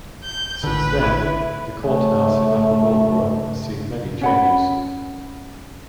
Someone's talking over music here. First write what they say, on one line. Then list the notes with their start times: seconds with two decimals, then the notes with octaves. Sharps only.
Since then, the courthouse in Upper Marlboro has seen many changes.
0.24 G6
0.64 A1 D3 B4
1.02 E4
1.83 C#3 A3
4.21 C#4 F#5 B5